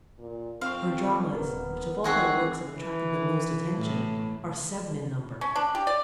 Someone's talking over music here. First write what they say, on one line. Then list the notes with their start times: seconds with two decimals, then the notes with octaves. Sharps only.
Her dramas, which, of all her works, have attracted the most attention, are seven in number.
0.19 A#2
0.61 F2 C4 F5 C6 C#6
1.32 D#1 B3 A#4
2.04 G#1 D#3 C4 F#4 G#4 C6 F#6 C7
2.78 E3
3.76 A2
5.41 C#4
5.56 D4
5.75 G4
5.87 D5